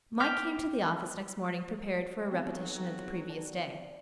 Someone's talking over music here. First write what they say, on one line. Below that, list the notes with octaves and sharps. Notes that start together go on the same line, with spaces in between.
Mike came to the office next morning prepared for a repetition of the previous day.
G5 D6 F6 B6
B1 F#3 C4
D4